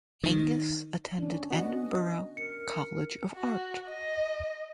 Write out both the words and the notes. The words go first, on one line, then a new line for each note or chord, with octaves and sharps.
Angus attended Edinburgh College of Art.
D#3
C#4 D4
B3 F#4 D#5
A#4 C#7
F#4
D#5